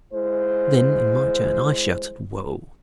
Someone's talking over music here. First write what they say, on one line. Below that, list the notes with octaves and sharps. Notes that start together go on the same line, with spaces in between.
Then, in my turn, I shouted "Whoa!"
G#3 E4 C5